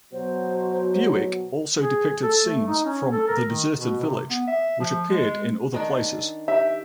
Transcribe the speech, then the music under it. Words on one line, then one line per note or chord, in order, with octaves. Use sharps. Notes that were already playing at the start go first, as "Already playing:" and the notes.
Bewick also depicted scenes from "The Deserted Village" which appeared in other places.
B2 F#3 C5
G#4
A4
A3
D#4
C#4
A4
A#4
D#3
B2
C3
B3
E5
F3
G#3
D#3 D4
G4 E5